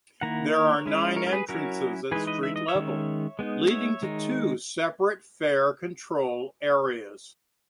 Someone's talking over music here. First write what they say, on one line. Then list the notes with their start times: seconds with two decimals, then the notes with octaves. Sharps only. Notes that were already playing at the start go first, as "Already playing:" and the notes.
There are nine entrances at street level, leading to two separate fare control areas.
0.21 D#3 A#3 E4 F#5 A#5
0.54 A#4 C#5
0.86 G#3 C#4 E4
1.16 A#4 C#5
1.27 A#4
1.32 G#4 B4
1.49 F#3 C#4 E4 F#4 A#4
2.11 E3 G#3 D#4 G#4 B4
2.27 B4 D#5
2.43 E5
2.56 D#5
2.68 C#5 E5
2.75 D#3 G#3 C#4
3.39 G#3 B3 D#4
3.70 C#5 E5
4.02 D#3 G#3 D#4